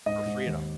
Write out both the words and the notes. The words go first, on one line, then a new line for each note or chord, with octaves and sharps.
her freedom.
G#2 D#5
G#2
D#2